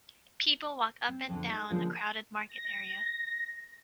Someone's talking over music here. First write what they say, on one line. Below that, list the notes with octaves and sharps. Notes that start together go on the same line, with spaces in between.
People walk up and down a crowded market area.
C4
F2 D3
D#4 A4
D3 F3 G#3 A#3 C#4 F4
A#6